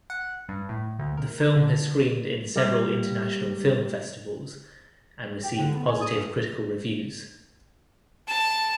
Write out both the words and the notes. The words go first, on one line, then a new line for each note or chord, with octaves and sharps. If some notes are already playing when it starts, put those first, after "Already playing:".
The film has screened in several international film festivals and received positive critical reviews.
F#5
G2
A2
D2
A#4
A#4
D3
G3 A#3
G4
D3
B3
G#5
D#6
G2
A5